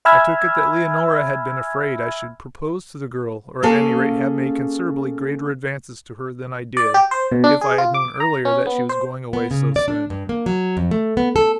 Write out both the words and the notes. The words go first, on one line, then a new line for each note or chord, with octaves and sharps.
I took it that Leonora had been afraid I should propose to the girl or, at any rate, have made considerably greater advances to her than I did, if I had known earlier that she was going away so soon.
E5 G#5 B5 E6 F6 G#6
A#3 C#4 G#4 A4 F5
D5
G4
C5
B2
D4
G#4
F4
D6
A#5
C#4
B3
C5
B3
C#3
D5
D4
G2
A#3
F#3
F2
A3
B3
A4